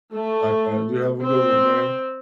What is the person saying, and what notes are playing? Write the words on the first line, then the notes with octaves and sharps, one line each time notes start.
Likewise, you have a good one, ma'am.
A3
C4